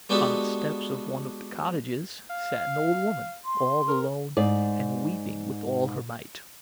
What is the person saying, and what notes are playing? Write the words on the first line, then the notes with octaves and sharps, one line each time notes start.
On the steps of one of the cottages sat an old woman, all alone and weeping with all her might.
G#3 B3 D4 F#4 G4 A4
F5
C6
A#4
G#2 D5